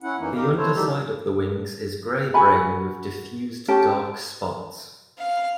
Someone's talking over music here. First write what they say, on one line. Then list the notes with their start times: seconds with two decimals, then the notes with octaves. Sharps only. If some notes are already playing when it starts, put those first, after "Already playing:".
The underside of the wings is grey brown with diffused dark spots.
0.03 C#4 E4 F#5
0.19 F2 E3 A#3 C#4 D#4
0.35 D#2 D#4 G4 A#4 F5
0.56 E4 A4 C5 C#5
0.74 D#3 F#3 G3 D#4 G4 A4
2.34 F#4 G#4 G#5 B5
3.68 C#4 G4 A5
5.19 F5